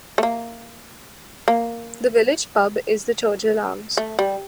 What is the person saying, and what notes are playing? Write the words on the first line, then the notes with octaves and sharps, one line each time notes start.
The village pub is the Churchill Arms.
A3
A#3
A#3
A3
G3